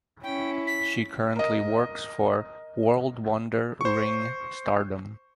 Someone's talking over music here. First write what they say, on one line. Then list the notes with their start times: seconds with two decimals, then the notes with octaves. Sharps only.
She currently works for World Wonder Ring Stardom.
0.24 C#4 E4 G5
0.67 B6
1.35 A#4 D#5
3.81 C5 C#6